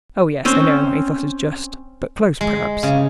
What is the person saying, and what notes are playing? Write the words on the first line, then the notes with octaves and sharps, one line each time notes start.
"Oh, yes, I know Athos is just; but close, perhaps?"
C4 C#4 C5
G#3
C#3